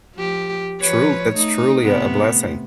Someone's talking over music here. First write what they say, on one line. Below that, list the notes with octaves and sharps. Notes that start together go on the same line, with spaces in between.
tru that's truly a a blessing.
F3 G4
F3 B4 C#5
A3 D#4
A2 C3 B3